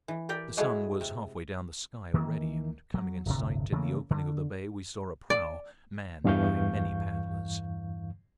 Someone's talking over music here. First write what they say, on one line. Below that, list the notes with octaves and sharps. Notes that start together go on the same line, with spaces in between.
The sun was halfway down the sky already, and coming in sight in the opening of the bay we saw a prau manned by many paddlers.
E3
G4 A#4 D5 G5
F#3 G#3 A3 B3 E4 G#4
C3
D#3 E3 A#3
F#3
D1 G1 C3
C#3 E3 A3 A#3
D3
D5
E2 G2 E3 F5 C#6 G6